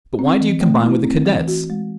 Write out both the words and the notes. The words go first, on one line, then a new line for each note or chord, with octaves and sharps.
"But why do you combine with the Cadets?"
C4
E3
A3
E4
C4
E3
F#4
G#3